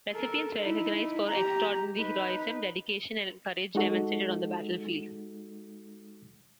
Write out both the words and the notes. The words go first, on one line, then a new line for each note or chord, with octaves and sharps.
Recipients were recognised for extraordinary heroism, dedication, and courage demonstrated on the battlefield.
A4 A#4
D#4 E4
G4 A#5
D#4 B4
G#3 D#4 F#4 A4